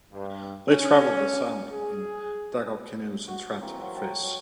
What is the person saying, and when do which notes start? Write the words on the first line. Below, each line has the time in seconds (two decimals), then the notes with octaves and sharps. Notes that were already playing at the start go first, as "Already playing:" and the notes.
They traveled the sound in dugout canoes, and trapped fish.
0.12 G2
0.67 C#4
1.71 G#4
3.28 F#4 F#5
3.61 E3 A#3 C4
3.80 F#3 A#3 C4 A#4
3.95 C#5 G5 A5
4.23 F#3